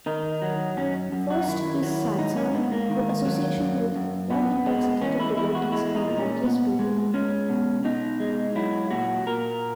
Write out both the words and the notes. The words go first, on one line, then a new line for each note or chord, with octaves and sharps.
First is "satsang" or association with love-intoxicated devotees and righteous people.
D#3 D#4
F#3
F#2 C#4
F#2
F#4
D#4
D#3 E4
F#3
G#2 D#4
C#4
G#2 B3
A#3
D#3
F#3
F#2
F#2
B2 B3
G#3
E2 C#4
E4
E2 E4
F#4
G#3 E4
D#4
A#2
C#4
A#2 B3
G#3
G#3 C#4
B2
B2 D#4
G#3
F#3 E4
A#2 F#4
A#2 A#4